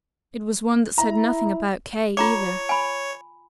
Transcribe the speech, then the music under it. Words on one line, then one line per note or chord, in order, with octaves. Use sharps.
It was one that said nothing about Kay either.
E4 A#5
F4 C#5 A#5 D6
G#5 B5